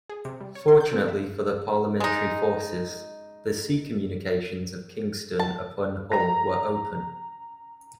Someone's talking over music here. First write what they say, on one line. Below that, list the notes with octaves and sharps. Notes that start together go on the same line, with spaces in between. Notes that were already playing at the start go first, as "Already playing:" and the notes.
Fortunately for the Parliamentary forces, the sea communications of Kingston upon Hull were open.
G#4
C3
G3
C#5
C6
G6
C4
E5
G#3 D#4
A5
A#5 A#6